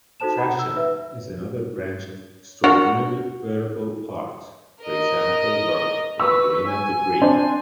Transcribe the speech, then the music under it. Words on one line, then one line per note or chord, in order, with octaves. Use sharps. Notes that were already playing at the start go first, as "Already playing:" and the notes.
Trashion is another branch of extraordinary wearable art, for example, work by Marina DeBris.
D#4 F#4 A4 C5 A5 E7
D#4 F#5 A#5 B5
E6
B4 E5
D4 F#4 A#4 A#5
A#4 D#5
B4 C#6 E6
G#5
C4 D4 C5